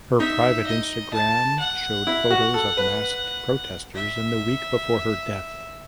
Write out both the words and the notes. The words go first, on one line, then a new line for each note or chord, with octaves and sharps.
Her private Instagram showed photos of masked protestors in the week before her death.
D#4 E5
D#5
A5
F#5
E4
F#4
A4
B4
E5